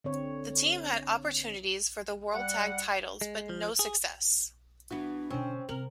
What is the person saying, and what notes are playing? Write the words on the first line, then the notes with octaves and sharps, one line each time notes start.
The team had opportunities for the World Tag Titles but no success.
D3 C4 C#5
G3 F#5
G#3
F3
G#4
E3 B3 D4 F#4
B2 D3 C4 C#4
C3 C4 A#4 F#7